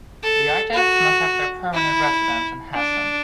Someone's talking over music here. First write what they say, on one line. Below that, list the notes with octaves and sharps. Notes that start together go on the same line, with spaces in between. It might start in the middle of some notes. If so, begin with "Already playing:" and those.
The artists must have their permanent residence in Hessen.
A4
F#4
E4
D4